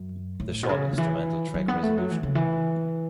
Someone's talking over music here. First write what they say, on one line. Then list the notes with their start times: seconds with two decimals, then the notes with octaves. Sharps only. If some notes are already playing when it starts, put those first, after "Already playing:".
The short instrumental track Resolution?
Already playing: F#2
0.40 A2
0.63 B2
0.69 C#3
0.93 C#3
0.98 E3
1.54 F#3
1.68 B3
1.83 A3
1.97 F#3
2.11 E3
2.23 C#3
2.35 E3